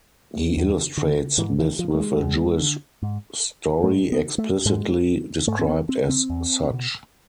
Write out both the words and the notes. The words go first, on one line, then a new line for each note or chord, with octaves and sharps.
He illustrates this with a Jewish story, explicitly described as such.
E2
D3
G#2 E3
E3
F3
A3
G#3
E2
D3
G#2
G#2 A3
B3
A3
G#2 G#3
G#2 A3
C4
B3
C4
C4
E2
B2